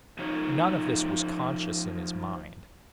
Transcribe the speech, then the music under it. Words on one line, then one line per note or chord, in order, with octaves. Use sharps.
None of this was conscious in his mind.
F3 D#4 F4 C#5